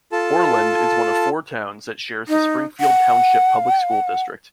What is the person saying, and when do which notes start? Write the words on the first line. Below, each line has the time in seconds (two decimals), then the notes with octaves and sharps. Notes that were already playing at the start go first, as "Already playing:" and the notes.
Oreland is one of four towns that shares the Springfield Township Public School District.
0.12 F4 A4 A5
2.28 D#4
2.80 F#5